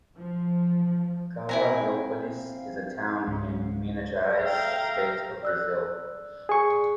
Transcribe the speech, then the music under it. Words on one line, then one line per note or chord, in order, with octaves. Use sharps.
Carvalhópolis is a town in Minas Geraes State of Brazil.
F3
C4 E4 F5 G#5 A#5
C#2 G#2 C#4
A4 E5 F5 G5 A#5
D5 E6 F#6
G#4 C#6